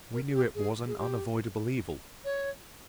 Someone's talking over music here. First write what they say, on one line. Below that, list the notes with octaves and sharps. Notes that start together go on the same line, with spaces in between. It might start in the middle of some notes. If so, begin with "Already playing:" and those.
We knew it was an unavoidable evil.
A#4
G#4
G4
G#4
G#4
G4
C#5